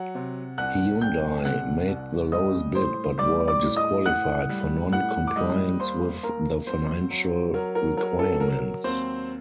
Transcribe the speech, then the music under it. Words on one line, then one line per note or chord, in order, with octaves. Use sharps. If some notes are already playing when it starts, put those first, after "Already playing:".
Hyundai made the lowest bid but were disqualified for non-compliance with the financial requirements.
Already playing: F#3 F#5
C3
C2 F#5 F#6
C2 G5 G6
C3 F#5 F#6
C2
G3 D#5 D#6
A2 C5 C6
G3 D5 D6
D5 D6
A2
D#5 D#6
A2 F#5 F#6
G3
A2 F#5 F#6
D6
G3 D#5 D#6
D#2 C5 C6
D#2 A#4 A#5
F#3 C4 C5
F#3
F#3 A#4
A#4
F#3 A#4
A4
F#3 A#4
D#2 C4 C5